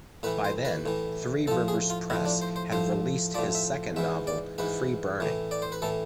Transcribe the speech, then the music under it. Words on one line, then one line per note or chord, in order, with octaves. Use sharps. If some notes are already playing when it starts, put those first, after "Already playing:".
By then, Three Rivers Press had released his second novel, "Free Burning".
A2 E3 B4
C5
B4
A2 E3
A2 F3 A4
G#4
F4
A2 F3 E4
D4
C5
C5
A2 F3 C5
A2 F3 D5
E5
G#2 E3 E5
D5
G#2 E3 B4
A2 E3
D5
C5
B4
A2 E3 A4